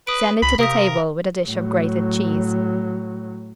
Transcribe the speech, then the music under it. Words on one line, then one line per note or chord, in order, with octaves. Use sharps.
Send it to the table with a dish of grated cheese.
B4 D#6 D7
C#2 B5
C3 A#4 F5 D#6 B6
A2 F#3